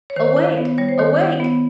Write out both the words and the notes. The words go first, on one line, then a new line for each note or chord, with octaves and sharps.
"Awake, awake!"
C#5
D#3 C5
E4
B3
G3 C#5
C5
D#3 C#5
E4
B3